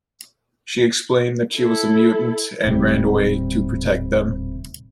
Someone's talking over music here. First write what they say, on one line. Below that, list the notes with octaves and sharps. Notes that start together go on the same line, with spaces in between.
She explained that she was a mutant, and ran away to protect them.
E4 A4
D#1 A2 C3 G3